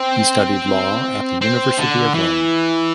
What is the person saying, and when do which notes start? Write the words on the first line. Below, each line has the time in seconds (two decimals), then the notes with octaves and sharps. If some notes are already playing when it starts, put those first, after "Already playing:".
He studied Law at the University of Rome.
Already playing: C4
1.41 C4
1.78 D3
2.14 E3